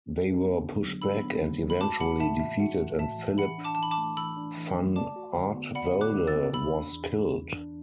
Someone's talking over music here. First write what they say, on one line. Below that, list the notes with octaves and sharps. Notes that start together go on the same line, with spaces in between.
They were pushed back and eventually defeated and Philip van Artevelde was killed.
D4
B3
D3
F#3
D4 B5 E6
B3
D3
F#3
B5
F#4 A5 D6
A3 F#5 B5
A2 E5 A5
E3 E5
F#4 F#5
A3
A2 E5 A5
E3
E3 F#5 B5
D4
A5 D6
A5
E3 B5
A5 D6
A3
E3 B5 E6
D4
E3
A3
D5 A5 D6
F#4
D3
B3
D5 F#5 B5
F#4
D6 F#6
D3
E6 A6
B3
E2 B5 E6
D4
E2
E3
E2
D4